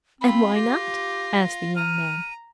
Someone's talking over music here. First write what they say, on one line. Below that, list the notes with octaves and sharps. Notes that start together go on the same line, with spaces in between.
"And why not?" asked the young man.
C4 F4 B5
G4 A#6
A#5 F6 D#7